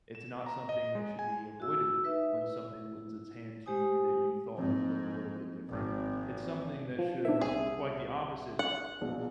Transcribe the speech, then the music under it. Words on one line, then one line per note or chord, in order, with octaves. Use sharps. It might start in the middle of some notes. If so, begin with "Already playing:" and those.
It's not something that should be avoided when something lends its hand to you that you thought would look a little bit different. It's something that should, quite the opposite,
E7
A#5
D#5
G#3
G#5
F#4 E6
D#4 B4 E5
E4
G#3 G4 C5 G#5 D#6
G#2 F3 A#3 C4
G#1
F3
B3 C4 D4 E5
C2 G#4
F#5
A#1 B2